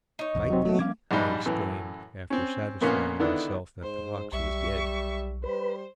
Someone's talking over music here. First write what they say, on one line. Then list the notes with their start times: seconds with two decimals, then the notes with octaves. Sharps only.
"Bite ye?" I exclaimed, after satisfying myself that the fox was dead.
0.19 D#4 C#5
0.35 A#1 E2
0.50 E1 C3 F#3 C4
0.65 F#3 A3
0.79 F3 G3 C#4 F5 D6 G#6
1.11 A#1 G#2 G3 D#5
1.45 F#2 A2 E3
2.30 C4 C#4
2.81 F2 A#2 A#3 B3 C#4
3.20 D3 D#3 B3 D4 E4
3.83 G#2 C5
4.32 B1 G3 E5 C#6
5.44 G3 B4 C5